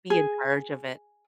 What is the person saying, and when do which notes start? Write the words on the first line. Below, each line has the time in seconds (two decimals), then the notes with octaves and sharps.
be in charge of it.
0.10 G#4